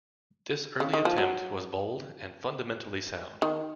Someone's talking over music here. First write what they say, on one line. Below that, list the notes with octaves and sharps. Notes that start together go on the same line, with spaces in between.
This early attempt was bold and fundamentally sound.
C#3
D#3
F3
F#3
D#3